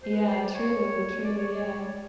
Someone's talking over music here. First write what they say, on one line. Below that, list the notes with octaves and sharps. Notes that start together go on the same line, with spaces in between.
Yeah, true, true, yeah.
C5
B4
C5
D5
C#5
D5
C#5
D5
C#5
D5